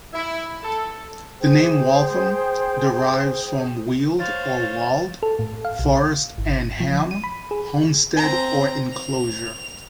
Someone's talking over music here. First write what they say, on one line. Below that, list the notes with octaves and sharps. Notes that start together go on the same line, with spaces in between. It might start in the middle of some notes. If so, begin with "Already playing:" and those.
The name Waltham derives from "weald" or "wald" "forest" and "ham" "homestead" or "enclosure".
E4
A4
G#4 C5 G5
C5 C#5 F5 A6
A4
A2
F5
B1
G#1
F3
D#7
B5
G#4
C4 A#5
F7